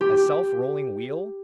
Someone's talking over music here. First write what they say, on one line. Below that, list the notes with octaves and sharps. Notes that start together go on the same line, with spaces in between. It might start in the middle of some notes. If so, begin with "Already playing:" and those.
A self-rolling wheel?
G4